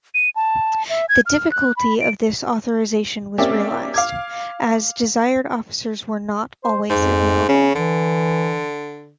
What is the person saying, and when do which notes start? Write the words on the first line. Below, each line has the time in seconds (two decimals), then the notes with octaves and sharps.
The difficulty of this authorisation was realised, as desired officers were not always available.
0.14 D#7
0.36 A5
0.89 E5
1.09 G#6
1.26 F6
1.51 F#6
1.76 B5
2.00 D7
3.38 A#3 C4 C#4 G4 D5 E5
3.94 F5 D6 G#6
6.64 C5
6.89 F2 G#2
7.48 C#3 C#4
7.75 D3 E3